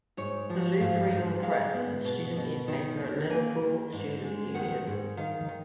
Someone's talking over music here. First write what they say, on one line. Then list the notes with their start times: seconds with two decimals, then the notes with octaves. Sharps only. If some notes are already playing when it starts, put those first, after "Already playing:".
The Looprevil Press is a student newspaper at Liverpool Students' Union.
0.17 G#2 C#5
0.50 F3
0.80 G#2 F5
1.11 G#2
1.42 G#3 F5
1.74 B3
2.05 B2
2.36 B2
2.68 D#3
2.99 D#2
3.30 A#3 G#5
3.61 D#3
3.93 G#2
4.24 G#3
4.54 D#3 F#5
4.86 G#2
5.17 D#3 F5
5.48 D#3